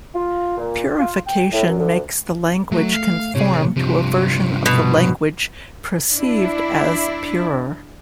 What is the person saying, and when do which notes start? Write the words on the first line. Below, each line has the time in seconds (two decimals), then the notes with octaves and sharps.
Purification makes the language conform to a version of the language perceived as 'purer'.
0.15 F4
0.57 A#2
0.99 F4
1.27 G5
1.52 A2
1.66 F#2
1.79 D2
2.72 F#3 A3
2.94 F5
3.35 A2 C3 G#4 C#5
3.77 G2 C3 F3
4.66 B2
6.15 D4 E4